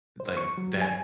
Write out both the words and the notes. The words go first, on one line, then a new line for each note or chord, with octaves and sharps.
Like, that
C5
C#6
F#3
G#5